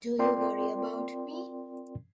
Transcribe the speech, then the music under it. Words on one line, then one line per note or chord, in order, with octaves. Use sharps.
Do you worry about me?
C4 F4 A#4 D5 G5 C6